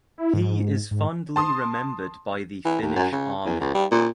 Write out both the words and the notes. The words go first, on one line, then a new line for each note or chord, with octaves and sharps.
He is fondly remembered by the Finnish Army.
E4
G#2
G#2
A5 C6 D#6
E3
D#2
F#2
C#3
E2
C#2
G3
A#2